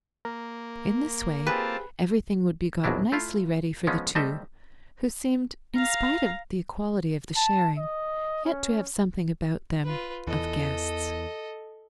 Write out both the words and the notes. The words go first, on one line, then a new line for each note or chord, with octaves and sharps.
In this way everything would be got nicely ready for the two who seemed, in spite of the equality of the sharing, yet to have something about them of guests.
A#3 A#4
C4 F4 G4 G#4 B4 A5
A#1 E2 B2 F#3 D4 E4
A3 E4 F4 F5
F3 G#3 B3 C#4
G3 A3 C4 A4 D#5 E5
F5 A#5
A5
D#5
C#4
F4 B4
E2 E3 A4 D#5